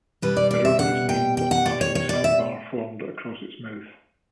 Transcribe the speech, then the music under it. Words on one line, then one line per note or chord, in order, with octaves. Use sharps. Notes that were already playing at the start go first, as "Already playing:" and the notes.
The river is named after the sand bar formed across its mouth.
B2 G3 B4
D5
D5
E5
F#5
G5
G5
F#5
D5
C#5
C#5
D5
E5